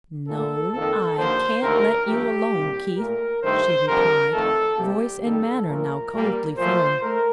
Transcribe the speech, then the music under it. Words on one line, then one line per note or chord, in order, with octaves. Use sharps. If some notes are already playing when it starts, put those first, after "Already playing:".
"No, I can't let you alone, Keith," she replied, voice and manner now coldly firm.
A#2 A3 A4
F2 D#3 A#3 A4
D#2 D3 F3 A#3 C5
D#2 D3 A3 A#4
G2 F3 A3 G4
C2 C3 G3 A#3
A#2 A3 A#4
G2 D#3 A3 C5
F2 D3 G3 A#4
F2 D#3 A3 A4
C2 C3 G3 A#3 G4
F2 D#3 G3 A#3 A4
A#2 F3 A3 A#4
A#2 G3 A#3
A#2 F3 A3 C5
A3 A#4